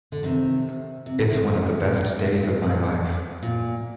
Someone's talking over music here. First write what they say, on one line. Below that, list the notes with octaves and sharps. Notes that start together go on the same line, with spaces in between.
It's one of the best days of my life.
D3
C3 D#3
C3
D3
C3 D#3
A#2 D3
C3
A#2
A2
A#2
A#2
A#2